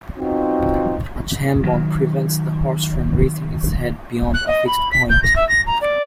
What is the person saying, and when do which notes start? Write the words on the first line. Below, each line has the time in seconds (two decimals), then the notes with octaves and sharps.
A chambon prevents the horse from raising its head beyond a fixed point.
0.16 B1 C4 D#4 F4 F#4
1.63 D#3 F#3
4.34 F#6
4.47 D#5
4.67 B5
4.91 B6
5.09 G6
5.23 A#6
5.36 E5
5.49 A#6
5.66 A#5
5.81 D5